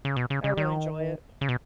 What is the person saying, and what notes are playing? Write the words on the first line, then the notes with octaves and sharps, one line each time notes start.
I really enjoy it.
C#3
B2
C#3
C#3
D#3
C#3
B2